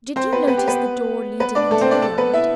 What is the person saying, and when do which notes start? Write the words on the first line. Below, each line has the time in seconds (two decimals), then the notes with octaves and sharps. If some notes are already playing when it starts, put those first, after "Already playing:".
"Did you notice the door, leading into the yard?"
0.16 C4 C5
0.32 B3 B4
0.47 B3 B4
0.57 G4
0.68 B3 B4
1.40 B3 B4
1.55 D4 D5
1.71 A3 A4
1.81 C4 C5
1.91 D4 D5
2.02 A4 A5
2.18 B3 B4
2.33 E4 E5